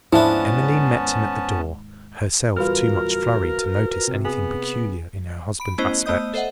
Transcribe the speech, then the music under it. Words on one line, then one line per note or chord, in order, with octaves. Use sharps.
Emmeline met him at the door, herself too much flurried to notice anything peculiar in her husband's aspect.
D#2 G#2 F3 B3 C#4 D4 E4 A5
D1 E2 G3 F4 F#4 A#4 B4 F6
C3
B3 G#4
B5 D7
A3 B3 C#4 E4 C5 D#5
A3 B3 C5 D#5 D#6 G6
A4 C5 D#5 E5 F#5